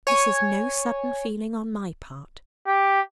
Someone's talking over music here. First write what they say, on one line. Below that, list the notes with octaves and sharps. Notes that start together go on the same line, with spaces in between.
This is no sudden feeling on my part.
C#5 G#5
G4